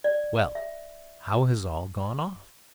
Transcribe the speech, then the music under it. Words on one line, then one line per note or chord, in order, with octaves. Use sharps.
"Well, how has all gone off?"
D5
E5